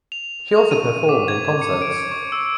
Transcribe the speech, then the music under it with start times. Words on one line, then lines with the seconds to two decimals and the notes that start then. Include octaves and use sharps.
She also performed in concerts.
0.12 F7
0.56 C#6
0.71 D#7
1.09 D6
1.28 G#6
1.62 C#7
1.82 D7
2.11 C#6
2.32 E6